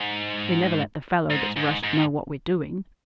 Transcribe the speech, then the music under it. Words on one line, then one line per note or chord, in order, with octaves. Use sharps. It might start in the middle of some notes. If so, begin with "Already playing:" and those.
We never let the fellow that's rushed know what we're doing.
Already playing: G#2
G#2
G#2
G#2